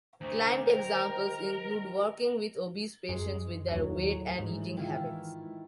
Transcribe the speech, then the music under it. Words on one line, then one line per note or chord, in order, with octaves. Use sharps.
Client examples include working with obese patients with their weight and eating habits.
D2 C5 A#5
D#3 A#4
F#2 G#3
D#2 A2 F#3
G#2 E3
D#3 E4 F4